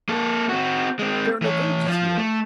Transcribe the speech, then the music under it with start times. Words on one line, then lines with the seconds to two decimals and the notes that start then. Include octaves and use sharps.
There are no villages here?
0.09 A#3 A4
0.49 C4 F#4
0.99 G#3 C4
1.42 E3 C#5
1.88 F3 F4
2.18 A3